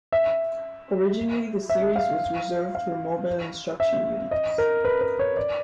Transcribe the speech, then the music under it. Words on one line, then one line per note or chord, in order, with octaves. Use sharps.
Originally the series was reserved for Mobile Instruction units.
E5
E5
F5
F5
E5
D#5
A#4
B4
B4
C#5
D5